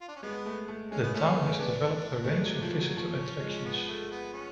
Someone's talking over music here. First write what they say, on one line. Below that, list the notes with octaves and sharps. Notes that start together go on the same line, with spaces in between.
The town has developed a range of visitor attractions.
F4
D4
C#4
G#3 B3
A3
A3
G#3 C#4
B3
A3 C#4
A3
B3
B3 D4
A3
G#3
F#3
F3
F#3
F3 C#4
G#3
B3
A3
B3
C#4